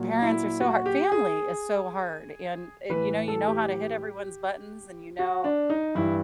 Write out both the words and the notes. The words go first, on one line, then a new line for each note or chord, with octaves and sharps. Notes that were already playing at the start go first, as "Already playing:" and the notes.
Parents are so hard family is so hard and it you know, you know how to hit everyone's buttons and you know,
Already playing: A#2 F#3
E4
F#4
G4
G#4
A2 E3 B4
A4
G4
F#4
D4
D#4
G2 E3 E4